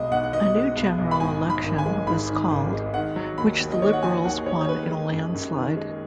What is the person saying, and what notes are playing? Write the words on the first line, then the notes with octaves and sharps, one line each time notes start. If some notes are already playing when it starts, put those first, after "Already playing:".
A new general election was called, which the Liberals won in a landslide.
Already playing: B1 B2 G#3 D#5
B1 F#5
F#5
B2 D#5
G#3
B1
B1
B5
G#2 G#5
D#3
B5
G#1
G#5
G#3
G#2 B5
D#3
G#1
G#3
D#3 F#5
F#3
D#2 B5
D#2
D#5
D#3 C#5
F#5
F#3 G#5
D#2 F#5
D#2 C#5
C#5
D#3 B4
G#3
F#2
F#2
D#3
G#3